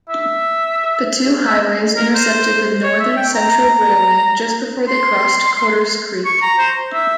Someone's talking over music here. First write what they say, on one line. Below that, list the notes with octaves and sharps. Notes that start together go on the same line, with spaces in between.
The two highways intersected the Northern Central Railway just before they crossed Codorus Creek.
E5
E5
A#4
C5
C#5
E5
G5
A#5
A#5
C6
C#6
A#5
C5
E5